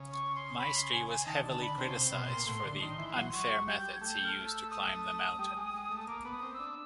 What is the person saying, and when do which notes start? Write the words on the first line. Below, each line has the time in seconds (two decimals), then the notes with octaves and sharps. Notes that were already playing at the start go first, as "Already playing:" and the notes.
Maestri was heavily criticised for the "unfair" methods he used to climb the mountain.
Already playing: C#3
0.12 C#6
0.35 C6
0.58 B5
0.74 C6
0.92 G#5
1.09 G#5
1.26 D#3 A5
1.43 D3 A5
1.61 D3 B5
1.78 C3 C6
1.88 C#3
1.96 C3
2.12 B2
2.29 A#2
2.47 A2
2.64 D3
2.81 D#3
2.98 E3
3.16 F#3
3.33 F#3 C#6
3.67 G3 G6
3.95 G#6
4.01 A3 G6
4.24 F6
4.47 E6
4.70 D#6
5.39 G3
5.56 G#3
5.74 G#3
5.91 A3
6.08 A#3 D6
6.25 B3
6.30 D#6
6.42 C4
6.54 E6
6.59 D4